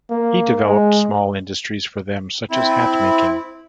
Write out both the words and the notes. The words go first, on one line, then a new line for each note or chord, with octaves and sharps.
He developed small industries for them, such as hat making.
A#3
G#3
C4 E4